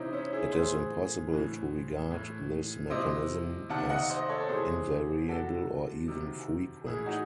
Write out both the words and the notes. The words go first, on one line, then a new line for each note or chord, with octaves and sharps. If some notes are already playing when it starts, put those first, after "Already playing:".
It is impossible to regard this mechanism as invariable or even frequent.
Already playing: C3 E3 C4 C#4 D#4 E4
C#4 E4
E4 G#4
A2 E3 G#4 C5
A2 E3
A2 E3
C3 E3 C5 D#5
C3 D#3 F#5 A5
D#5 F#5
C5 D#5
D#5
A4 C#5
A4
C3 E3 G#4 C5
C3 E3 F#4 A4
C3 D#3
A2 E3 E4 G#4
D#4 F#4